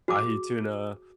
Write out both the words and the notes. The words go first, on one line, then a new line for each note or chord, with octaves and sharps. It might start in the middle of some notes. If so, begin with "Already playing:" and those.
ahi tuna,
F#4 G#4 D6